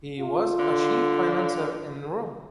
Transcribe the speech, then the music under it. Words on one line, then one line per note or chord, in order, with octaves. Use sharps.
He was a chief financier in Rome.
F4
D3